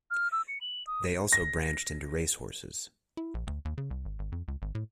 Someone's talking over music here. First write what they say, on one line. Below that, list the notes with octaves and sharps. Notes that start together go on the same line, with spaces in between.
They also branched into race horses.
F6
E6
C#7
F#7
D#6
A#6
E4
A#1
D2
D#2
C#3
C2
G#1
G#1
F2
C#2
G#1
A2